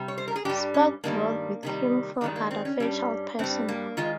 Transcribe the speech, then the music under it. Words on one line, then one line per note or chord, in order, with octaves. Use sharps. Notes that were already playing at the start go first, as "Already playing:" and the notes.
Sporck brought with him four other Fairchild personnel.
Already playing: C3 G3
C#5
C5
A#4
G#4
G2 G3 G4
C#4
G2 D#3 G3 A#3
C3 D#3 G3
G2 D#3 G3 G#3
A#3
C4
C#4
G2 G3 C#4
G2 G3 C4
A#3
D#3 G#3 F4